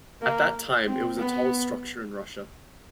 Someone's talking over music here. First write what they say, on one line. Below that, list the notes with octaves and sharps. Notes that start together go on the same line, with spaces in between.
At that time, it was the tallest structure in Russia.
A#3
C4
B3